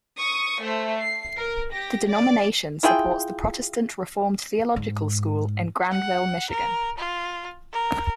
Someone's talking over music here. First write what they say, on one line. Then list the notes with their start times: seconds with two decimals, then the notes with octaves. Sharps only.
The denomination supports the Protestant Reformed Theological School in Grandville, Michigan.
0.17 C#6 D#6
0.61 A3 C5
0.99 C7
1.38 A#4
1.72 G4 A#6
2.07 D5
2.83 E4 F4 G#4 G5
4.76 G#2
5.91 F#5
6.50 A#4
6.98 F4
7.72 A#4